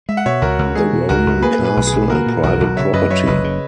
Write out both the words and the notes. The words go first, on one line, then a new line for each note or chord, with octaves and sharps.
The Roman castle and private property.
G#3 E5
F#5
B2 C#5 E5
C#2 F#4 A#4
C#2
G#3 G#4
B2
C#2 F#4 A#4
C#2
A#3 G#4 B4
A#2
G#4 B4
B1
G#4
B1
A#3 F#4 A#4
A#2
B1 F#4 A#4
B1
C#3 C#5 E5
F#2 B4 D#5
F#3 C#5 E5
F#1 B4 D#5
C#3